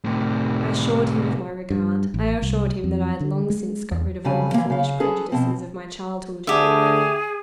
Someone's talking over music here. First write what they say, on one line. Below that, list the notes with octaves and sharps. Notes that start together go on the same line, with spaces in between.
I assured him of my regard: I assured him that I had long since got rid of all the foolish prejudices of my childhood.
A2 C3
G2
A1
C2
F2
D3
G#3
E2
F2 C#3 G3 G#5
E3 A#3
C#3 F5
C#4 G#4 A4 B4
B2 F3 C4
D2 D3 G4 G#4 E5